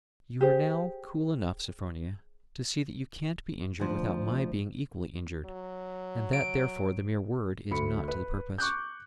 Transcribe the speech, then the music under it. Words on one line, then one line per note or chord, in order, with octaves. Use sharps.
'You are now cool enough, Sophronia, to see that you can't be injured without my being equally injured; and that therefore the mere word is not to the purpose.
G4 G#4 C5
D2 F3
F#3
D7
D2 B5 C#7
B4
C#6 D6 F#6 G6